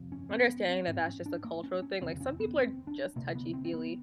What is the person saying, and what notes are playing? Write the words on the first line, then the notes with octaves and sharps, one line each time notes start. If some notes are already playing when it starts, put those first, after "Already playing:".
understanding that that's just a cultural thing like, some people are just touchy-feely,
Already playing: G1 F2 C3
C#4
C4
B3
C4
A1 G#2 C4
C#4
D4
A#3
C#4
C#4
F1 D#2 C#3 C4
C#4
B3
C4
D4
D2 C3 A#3
B3
C4
C4
B3